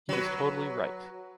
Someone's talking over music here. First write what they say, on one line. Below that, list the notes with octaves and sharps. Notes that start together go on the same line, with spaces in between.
He was totally right.
F#3 B4